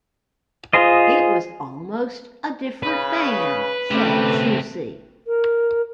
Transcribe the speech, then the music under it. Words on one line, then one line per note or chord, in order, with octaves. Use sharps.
"It was almost a different band", said Siouxsie.
F4 G#4 C5 D#5
C#3 B4
C#3 G3 A3 C4
A#4